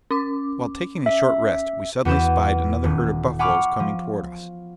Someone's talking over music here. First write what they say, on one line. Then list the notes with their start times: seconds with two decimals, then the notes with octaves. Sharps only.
While taking a short rest, we suddenly spied another herd of buffaloes coming toward us.
0.11 C#4 D6
1.06 E5
2.05 E2 B3 F#4 B4 G6 E7
2.84 D#1
3.39 F#5 G#5 B5 C#6 D6 F6
3.80 F3